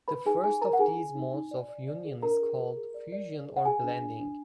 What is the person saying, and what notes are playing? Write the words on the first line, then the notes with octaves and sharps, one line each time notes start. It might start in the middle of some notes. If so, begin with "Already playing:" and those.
The first of these modes of union is called fusion or blending.
B4 B5
D#4 G#4 G#5
D#4 G#4 G#5
A#4 B4 A#5
F#5
D#4 G#4 G#5
G#4
D#4
D#4
D5
D5
D5
G#4
D4 A#4 A#5
G#4
G#4
G#4
D5
D5
D5
G#4
F#5
G#4 G#5
D4
D4
D4